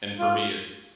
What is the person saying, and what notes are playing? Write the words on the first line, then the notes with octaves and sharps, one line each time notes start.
And for me, it's
F4